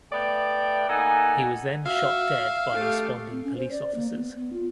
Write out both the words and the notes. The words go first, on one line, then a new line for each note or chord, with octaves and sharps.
He was then shot dead by responding police officers.
A3 B3 D5 G5
A#3 D#4 A4 F#5 G#5
F#4 E5 F5
A3 G4 A4
C4
C#4
C5
D5
A#3
B3
B3
F4